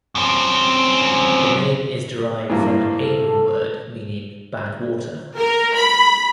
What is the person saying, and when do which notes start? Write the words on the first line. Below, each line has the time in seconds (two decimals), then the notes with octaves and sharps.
The name is derived from an Ainu word meaning "Bad Water".
0.15 F#2 C4
2.50 G2 E3 A#3
3.00 A4
5.37 A#4
5.74 B5